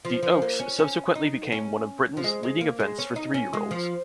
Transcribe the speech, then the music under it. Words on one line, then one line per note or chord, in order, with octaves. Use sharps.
The Oaks subsequently became one of Britain's leading events for three-year-olds.
F3
F3
A#3
C#4
C#4
D#4
C#4
F3
G#3
G#3
A#3
G#3
C#4
D#4
C#4
G#3
F3